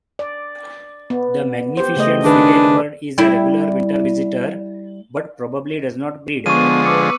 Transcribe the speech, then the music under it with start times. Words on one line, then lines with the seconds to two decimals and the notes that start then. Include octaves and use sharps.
The magnificent frigatebird is a regular winter visitor but probably does not breed.
0.19 D5
1.10 B3
1.77 G4 C5
1.96 C#3 A3 D#5
2.24 D#3 D4 G#4 B4
3.18 G3 E4
6.46 D3 F3 G#3 B3 C#6 D#7
6.85 B4 D6 E6 C#7